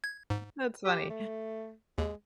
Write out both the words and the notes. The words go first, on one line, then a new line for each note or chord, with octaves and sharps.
That's funny.
G#6
G#2
G4
A3
D#2 G#3